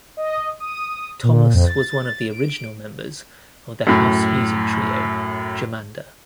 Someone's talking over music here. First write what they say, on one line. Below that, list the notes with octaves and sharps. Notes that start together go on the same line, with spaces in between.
Thomas was one of the original members of the house music trio, Jomanda.
D#5
D#6
A#2
F2
A6
D7
F#2 A2